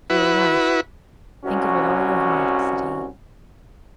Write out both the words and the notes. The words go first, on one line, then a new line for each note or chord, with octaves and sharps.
"You are right--think it with all your heart," said he.
E4 F#4 B4
C2 C#4 F#4